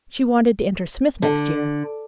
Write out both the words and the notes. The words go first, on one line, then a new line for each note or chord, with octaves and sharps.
She wanted to enter Smith next year.
D3